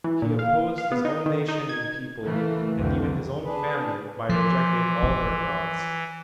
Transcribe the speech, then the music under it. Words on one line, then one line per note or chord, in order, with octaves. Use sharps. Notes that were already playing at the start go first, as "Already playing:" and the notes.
He opposed His own nation and people, and even His own family, by rejecting all their gods.
E3
A#2
F5
F5
B3
D#4
D#3
D#4
G#6
C#3 E3 A3 A#3
C2 F2 D3 E3 C4
D4 G#4 B4
E3 F3 C6 D6
F4